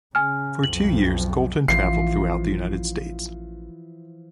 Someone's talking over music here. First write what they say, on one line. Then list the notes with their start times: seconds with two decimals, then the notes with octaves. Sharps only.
For two years Colton traveled throughout the United States.
0.15 C#3 G#5 F6
0.64 B1 F2 F#7
1.68 A1 E3 F3 C7